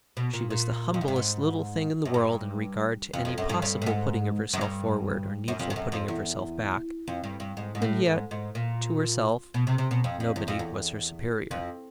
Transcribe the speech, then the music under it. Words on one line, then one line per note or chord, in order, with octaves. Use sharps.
She was the humblest little thing in the world in regard to any possible putting of herself forward or needful putting of herself back; and yet, to herself, nobody was her superior.
B2
A#2
A#2
F2
F#2
G2
G#2
F#2
G2
F2
F2
F#2
G2
G2
A2
G#2
F#2
G2
F#2
F2
G2
F#2
F2
E2
F2
G2
G2
G#2
G#2
A2
G#2
G#2
A#2
B2
C3
C3
B2
F2
F2
E2
F2
E2
F2